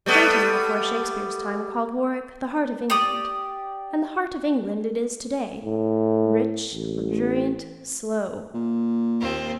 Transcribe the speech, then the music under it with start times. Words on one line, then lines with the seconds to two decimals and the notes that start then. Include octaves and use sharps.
Drayton before Shakespeare's time called Warwick "the heart of England," and the heart of England it is today--rich, luxuriant, slow.
0.06 G3 A3 B3
2.90 G4 D5 D#6
5.64 A2
6.74 A1
8.54 A#2
9.20 D#2 C4 F4